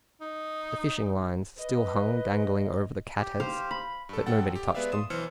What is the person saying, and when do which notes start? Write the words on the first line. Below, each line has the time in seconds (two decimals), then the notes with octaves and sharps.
The fishing-lines still hung dangling over the catheads, but nobody touched them.
0.21 D#4
1.59 B4 D#5
3.17 G4
3.40 C5 F5
3.71 B5
4.09 G2 A4
4.26 A1 A4 F#5 G5 A6
4.55 G4
4.74 G#3 B3 B4 D5 E5 F5
4.92 C6 D#6 E7
5.10 B1 E3 C5 E6 F6 C#7